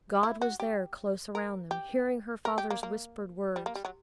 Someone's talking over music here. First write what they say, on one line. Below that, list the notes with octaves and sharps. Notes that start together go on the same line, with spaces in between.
God was there, close around them, hearing her father's whispered words.
E4
F#4
G4
A#4
G4
A#4
G4
A#3
A#3
G3
A#3
G3
F#3